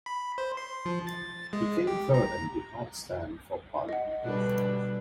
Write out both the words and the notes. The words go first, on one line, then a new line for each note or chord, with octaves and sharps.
He came third and did not stand for parliament again.
B5
C5
C6
F3
A6
G#3
G4
A#5
D#5 F#5
B2 D3 G3 D4 B4